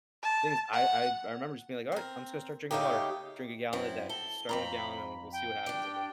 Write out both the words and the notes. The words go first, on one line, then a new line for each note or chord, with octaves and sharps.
things I I I remember just being like, "Alright. I'm just gonna start drinking water. Drink a gallon a day. Start with a gallon, and we'll see what happens." I mean,
A5
F#5
C4 A#4
C#3 A3 A#3 D#4 G4
F#2 C4 E4
A4 G7
F2 C4 A#5 B5
G5
D4 G4